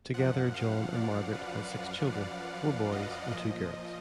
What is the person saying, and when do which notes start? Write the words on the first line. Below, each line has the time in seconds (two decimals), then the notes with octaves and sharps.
Together John and Margaret had six children, four boys and two girls.
0.14 F#2 F3 F#5
0.54 F5
0.93 D5
1.33 B4
1.73 B4
2.12 D5
2.92 D#5
3.32 A#2 F3 D#5